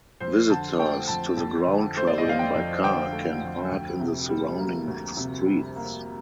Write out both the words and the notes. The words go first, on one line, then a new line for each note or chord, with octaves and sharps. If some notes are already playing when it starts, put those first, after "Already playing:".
Visitors to the ground travelling by car can park in the surrounding streets.
F2 C5
D3 A5
A3 G5
F2 A5
F2
D3
A3 C5
D5
D#5
F2 F5
G5
F2
D3 G5
A3
F2
D2
C3
G3
A#3
D2
C3
G3
A#3